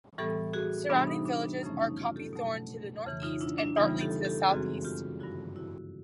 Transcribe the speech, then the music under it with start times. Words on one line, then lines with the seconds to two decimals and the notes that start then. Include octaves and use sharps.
Surrounding villages are Copythorne to the northeast, and Bartley to the southeast.
0.18 A2 E3 G3 B3 G4 A4
0.53 F#4 G#4
0.89 C3 E3 G3 B3 D4
1.07 D#4
1.25 D4
1.44 D4
1.61 F#2 C#3 F3 A3 C#4 D#4
1.80 D#4
1.97 D#4 F4
2.16 G4 A4
2.33 B2 F#3 A3
3.05 F2 C#3 E3
3.22 D#4 F4
3.41 D4 E4
3.58 D4 E4
3.76 C#3 E3 G3 B3 D#4 F4
4.01 G4 A4
4.25 G4 A4
4.48 F#2 C#3 E3 G#3 C4 F#4 G#4
4.84 F4 G4
5.20 G2 D3 F3 E4 F#4
5.56 E4 F#4